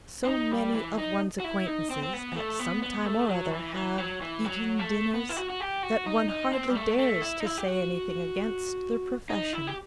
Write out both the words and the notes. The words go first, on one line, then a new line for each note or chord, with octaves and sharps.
So many of one's acquaintances at some time or other have "eaten dinners" that one hardly dares to say anything against the profession.
C4
D#4
G3
E3
D#4
F#4
E4
D#4
C4
C4
B3
A3
B3
B3
A3
F#3
E3
E3
F#3
E3
F#3
A3
B3
E4
F#4
F#4
G4
F#4
D#4
D#4
C4
G3
A3
A3
E4
D#4
E4
G4
F#4
D#4
E4
G4